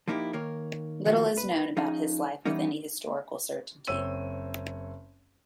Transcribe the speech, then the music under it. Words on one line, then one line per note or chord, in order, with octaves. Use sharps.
Little is known about his life with any historical certainty.
F3 A#3 D#4 E4 G4
D#3 A#3 A#4 C#5
D#3 F3 A3 F4 F#4
B4
F3 C#4 D#4 G#4
E3 G3 B3 C#4 D#4
F#1 C4 C#5 E6 D#7